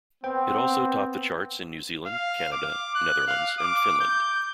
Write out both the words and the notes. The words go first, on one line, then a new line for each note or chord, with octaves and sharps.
It also topped the charts in New Zealand, Canada, Netherlands and Finland.
B3 C4 C5 G5
F5
D6
F#6
F5
D6
G6